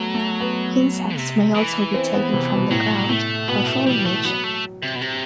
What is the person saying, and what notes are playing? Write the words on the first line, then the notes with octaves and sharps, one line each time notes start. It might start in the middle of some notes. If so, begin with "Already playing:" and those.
Insects may also be taken from the ground or foliage.
Already playing: F#3 A3 B3
A3
B3
C3
E3
C4
B3
C3
B2
A2 F#3
A2 A3
B2 B3
A3
E3 G3
A3
F#3 B3
A3
C3
B2
C3